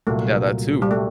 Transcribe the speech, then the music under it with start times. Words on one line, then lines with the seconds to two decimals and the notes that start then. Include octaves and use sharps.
Yeah, that too.
0.07 C2 A#2 F#3 A3
0.82 G3
0.91 A3